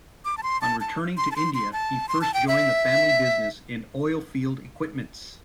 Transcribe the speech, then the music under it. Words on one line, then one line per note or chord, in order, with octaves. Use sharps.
On returning to India, he first joined the family business in oil-field equipments.
D6
A5
C6
A5
A5
C6
A5
C6
C6
A5
C6
A5
G5
E5